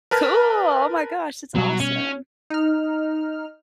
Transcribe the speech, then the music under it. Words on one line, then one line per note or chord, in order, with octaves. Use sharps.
Cool! Oh my gosh. That's awesome.
A#4 B4 A5 F6
B2 F#3 G3 B3
C#4
D#4 F6